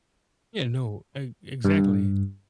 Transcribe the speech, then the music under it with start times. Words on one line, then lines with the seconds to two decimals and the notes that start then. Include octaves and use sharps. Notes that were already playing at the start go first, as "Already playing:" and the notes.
Yeah, no, e exactly.
1.65 G2